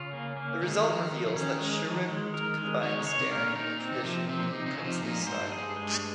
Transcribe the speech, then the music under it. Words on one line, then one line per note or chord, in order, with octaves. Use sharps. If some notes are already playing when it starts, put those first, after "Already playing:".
The result reveals that Schuricht combines daring and tradition in a princely style.
Already playing: C#3 F4
A#3
A#3
D#3 G#3
C#3
D#3
F3
F3
C#3
D#3 C#4
G#3
F3
G#3
A#4
G#3
D#3 C#5
C#3
C#5
C3
A#4
A#2
A#2 D#4
C4
C3
F3
C3 C4
A#2
C3
D#4
C#3
F3
C3
A#2 D#4
G#2
C5
G2
G#4
G2
G#3